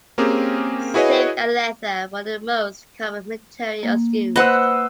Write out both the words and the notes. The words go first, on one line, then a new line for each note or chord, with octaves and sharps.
Silk and leather were the most common materials used.
A#3 C4 C#4 G4 G#4 A#4
E4 F#4 G#4 B4 C#5 D#5
A#3
B4 C5 D#5 F#5 E6